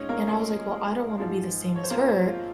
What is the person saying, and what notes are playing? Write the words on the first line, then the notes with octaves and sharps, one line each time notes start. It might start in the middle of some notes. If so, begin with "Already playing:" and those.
and I was like, "Well, I don't wanna be the same as her,
Already playing: A#2 G#3 C#4 D#4 C#5 D#5
A#3 A#4
G#3 G#4
G#2 F3 G#3
C#5
C5
A#3 A#4
C4 C5
F4